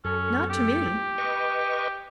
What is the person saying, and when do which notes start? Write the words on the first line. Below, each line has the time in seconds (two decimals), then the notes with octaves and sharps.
"Not to me."
0.05 F#2 C#4 A4
0.50 G4
1.18 B4 D#5 C#6